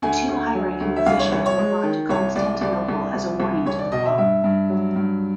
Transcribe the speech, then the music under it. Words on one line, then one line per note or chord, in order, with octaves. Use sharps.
The two high-ranking officials were brought to Constantinople as a warning to the pope.
D2 G#5
D2
F#3
D2
E5
C2 F5
C#5
C2 C#5
C#5
G#3
D#3
C2 C#5
C2 D5
C2 D5
C2
C2
C2
C2 C#5
D5
B2 D#5
E5
G2 E5
G2
F#3
G2